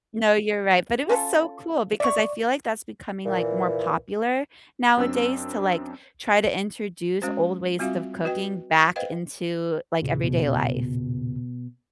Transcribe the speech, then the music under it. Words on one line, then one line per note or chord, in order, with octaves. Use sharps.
No, you're right, but it was so cool, because I feel like that's becoming, like, more popular nowadays to, like, try to introduce old ways of cooking back into, like, everyday life.
C#4 F4 A4
D5 E5 C#6
A#2 E3
F#2 C4 D4 E6
G#3 C#4 F#4 C5
G3 C4 F4 F#4 E5 F5
F#4 B4 D#5 G5
B4 C5 D#5 F5 G5
E2 A#2 C#3
B2